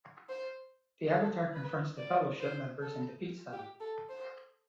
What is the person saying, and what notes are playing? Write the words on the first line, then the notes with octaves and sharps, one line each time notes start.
The Avatar confronts the Fellowship members and defeats them.
C5
A4
B4
D5
C5
A4
G4
A4
C5